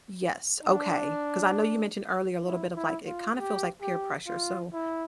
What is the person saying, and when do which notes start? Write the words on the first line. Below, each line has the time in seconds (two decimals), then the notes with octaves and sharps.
Yes. Okay, 'cause I know you mentioned earlier a little bit of, like it kinda feels like peer pressure so,
0.64 D4
2.45 E4
2.76 E4
3.06 F4
3.36 G4
3.82 G4
4.27 F4
4.73 E4